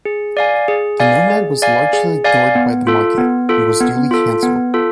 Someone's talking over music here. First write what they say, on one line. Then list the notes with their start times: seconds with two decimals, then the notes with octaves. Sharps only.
The Nomad was largely ignored by the market, and was duly cancelled.
0.05 G#4
0.37 D5 F5 G#5
0.68 G#4
1.00 D5 F5 G#5
1.30 G#4
1.62 D5 F5 G#5
1.93 G#4
2.24 D5 F5 G#5
2.55 B3
2.87 F4 A4
3.18 B3
3.49 F4 A4
3.80 B3
4.11 F4 A4
4.43 B3
4.74 F4 A4